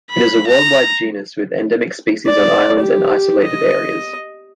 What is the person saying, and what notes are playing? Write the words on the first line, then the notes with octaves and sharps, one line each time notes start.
It is a worldwide genus with endemic species on islands and isolated areas.
B5
A#5
D5
G4
D#5